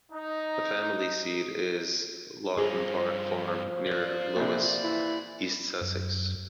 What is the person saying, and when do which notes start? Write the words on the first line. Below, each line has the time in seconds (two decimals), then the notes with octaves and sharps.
The family seat is Laughton Park Farm, near Lewes, East Sussex.
0.11 D#4
2.57 G2 F3 D#4 G#4
3.87 D5 A#5
4.36 A#1 C3
4.83 E3 E4
5.81 F#2